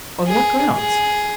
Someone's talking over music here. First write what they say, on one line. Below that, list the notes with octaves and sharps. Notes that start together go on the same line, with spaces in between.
"On what grounds?"
G#4
G#4